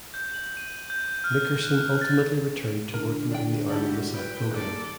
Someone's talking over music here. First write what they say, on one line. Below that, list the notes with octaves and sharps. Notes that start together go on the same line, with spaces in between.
Nickerson ultimately returned to working in the Army missile program.
G6
F#7
D#7
G6
F6
F#6
A6
D3 A#4
D4 G5
E4 F#4 G4 A4 D5
B4 G5
D#2 G#3 A#3 A4 D5